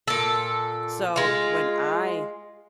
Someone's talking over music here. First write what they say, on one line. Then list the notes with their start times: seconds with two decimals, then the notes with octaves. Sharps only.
So, when I
0.08 A#2 A4
1.16 G#3 F4